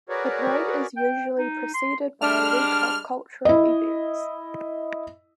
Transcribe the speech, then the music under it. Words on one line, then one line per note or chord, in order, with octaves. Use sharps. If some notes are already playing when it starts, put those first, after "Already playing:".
The parade is usually preceded by a week of cultural events.
F#4 G#4 A#4 B4 C#5 D5
G5
D#4
C6
G3 G#3 D4 F6
E4 D#5